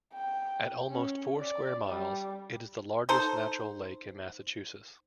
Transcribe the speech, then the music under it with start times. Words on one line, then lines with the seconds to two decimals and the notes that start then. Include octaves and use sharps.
At almost four square miles, it is the largest natural lake in Massachusetts.
0.14 G5
0.90 C#4
1.38 D5
1.87 G3
3.09 D#4 A4 C5